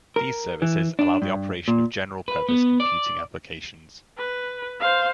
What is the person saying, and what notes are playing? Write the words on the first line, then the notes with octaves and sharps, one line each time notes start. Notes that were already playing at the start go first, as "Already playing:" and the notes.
These services allow the operation of general purpose computing applications.
A#4
E3
D4
G2
A#2
B4
B3
D5
B4
C5 F5